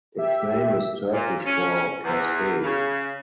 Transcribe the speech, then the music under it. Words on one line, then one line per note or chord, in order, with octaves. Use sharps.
Its name is Turkish for "cascade".
G4 E5
A#2
C#4
E2
C#3